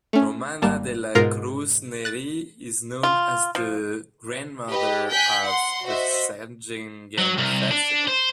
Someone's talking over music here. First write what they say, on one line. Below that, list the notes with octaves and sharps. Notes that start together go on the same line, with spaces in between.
Romana dela Cruz-Neri is known as the Grandmother of the Sagingan Festival.
A3 C#4
G#1 G3 A#3 A5
G#2 B2 F4 A#4 A#5 C7
F#6 A6
F4
F3
G4 B4 D#5
G5 G#5 F#6 G6 B6
F#5 C6
F#4 C5 D#5 E5
F#3
C2
D4
C5